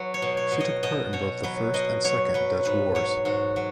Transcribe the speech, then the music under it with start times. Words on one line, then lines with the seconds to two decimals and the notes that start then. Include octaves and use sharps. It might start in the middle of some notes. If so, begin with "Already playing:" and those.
She took part in both the First and Second Dutch Wars.
Already playing: F#3 B4
0.14 C#5
0.22 B2
0.37 C#5
0.52 B2
0.60 D#5
0.83 B2 D#5
1.13 B2 C#5
1.44 F#3 B4
1.74 B2 D#5
2.04 F#3 C#5
2.34 F#3 B4
2.65 G#2 B4
2.95 F#3 C#5
3.25 G#2 F#4
3.56 F#3